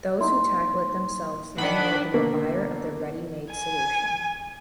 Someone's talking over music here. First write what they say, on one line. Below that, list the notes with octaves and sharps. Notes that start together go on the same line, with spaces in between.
Those who tackle it themselves learn more than the buyer of the ready-made solution.
A#3 D#4 E4 C6
D#3 D4 F#5 B5
B2 D3 A#3 B4
G#5